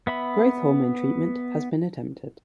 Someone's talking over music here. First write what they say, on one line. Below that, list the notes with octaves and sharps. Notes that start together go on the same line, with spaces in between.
Growth hormone treatment has been attempted.
B3 E5 B5